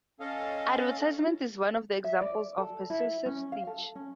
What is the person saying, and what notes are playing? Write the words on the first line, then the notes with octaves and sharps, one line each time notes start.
Advertisement is one of the examples of persuasive speech.
C#4 A4 D#5 F5
E5
D5
A4
E4
C#4
F5
A4
C#4